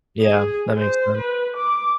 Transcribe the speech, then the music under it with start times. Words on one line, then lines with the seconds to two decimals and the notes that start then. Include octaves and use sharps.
Yeah, that makes sense.
0.22 G#4
0.77 C5
1.18 B4
1.57 D6